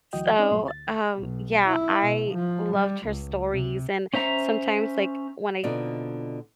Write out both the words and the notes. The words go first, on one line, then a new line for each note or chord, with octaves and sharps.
So, um, yeah, I loved her stories, and sometimes, like, when I
D2 E3 F#3 F#4 D#5 G5
C4 C#4 D#4 D5
C2 G2 A#2 F#3 A3 C6
D2 A6
B1
E4
B2
F3
G3
C#2
C3
C#4 C5 E5 A#5
B2 D3 C4 D#4 F4 D5